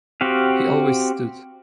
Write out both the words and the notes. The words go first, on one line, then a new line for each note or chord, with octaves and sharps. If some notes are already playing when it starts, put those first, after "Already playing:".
He always stood.
C4 F#4 G4 F5